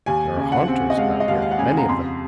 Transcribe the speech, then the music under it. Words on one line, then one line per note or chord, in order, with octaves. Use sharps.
There are haunters about here,--many of them.
D#2 G#5
C#3
F#5
C4
D#5
G#3 F5
D#5
D#2 F5
F5
F#5
C#3 G#5
A#5
F2 C6